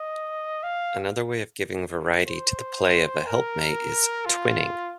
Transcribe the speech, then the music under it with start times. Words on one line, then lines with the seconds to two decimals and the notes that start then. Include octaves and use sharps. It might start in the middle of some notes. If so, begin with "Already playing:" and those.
Another way of giving variety to the play of a helpmate is "twinning".
Already playing: D#5
0.63 F5
2.28 C5
3.27 A#4
4.26 F4